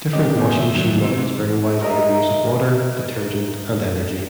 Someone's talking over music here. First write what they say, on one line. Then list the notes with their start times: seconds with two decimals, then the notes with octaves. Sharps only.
Different washing machine models vary widely in their use of water, detergent, and energy.
0.13 G3 C#4 G4 D#5
0.38 B2 D#3 B3 G#5
0.56 G2 E5
0.76 D#3 F3 F#3
1.01 C3 E3
1.82 A#4 D#5 E5